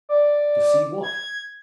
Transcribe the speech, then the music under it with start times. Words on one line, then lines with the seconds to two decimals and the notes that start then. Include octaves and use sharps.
To see what?
0.09 D5
1.03 G#6